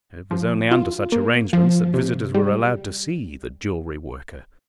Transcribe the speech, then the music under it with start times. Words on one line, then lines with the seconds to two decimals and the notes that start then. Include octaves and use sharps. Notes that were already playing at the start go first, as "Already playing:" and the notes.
It was only under such arrangements that visitors were allowed to see the jewelry worker.
0.31 F3
0.71 F4
1.12 A#3
1.53 F3
1.94 C3
2.34 G3